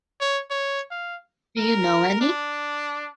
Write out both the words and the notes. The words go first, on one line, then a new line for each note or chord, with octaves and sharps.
Do you know any?
C#5
C#5
F5
A#4
D4